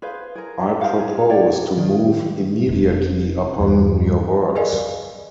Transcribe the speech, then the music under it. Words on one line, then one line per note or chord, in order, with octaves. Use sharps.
I propose to move immediately upon your works.
G#4 B4 C5 F5
G#4 A#4
D4
A#4 C5 F5 F#5
G#4
G4 C#5 D5 G5
D#3
F1
E2 G2 E3
G#4 A#4 D5 D#5 F5 G#5